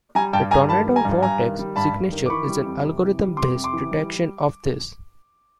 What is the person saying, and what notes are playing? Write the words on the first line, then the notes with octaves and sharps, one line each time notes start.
The tornado vortex signature is an algorithm-based detection of this.
G3 G#5 A#5
G2 G5 A5
G2 G#5 A#5
D#3 A5 B5
G3
G#5 A#5
G2
G2 G#5 A#5
D#3
G3
G2 A5 B5
G2
D#3
D6
E3 B5 C#6
G3
F2
C3
E3
G3
F2 C6 D6
C3
C6 D6
E3
G3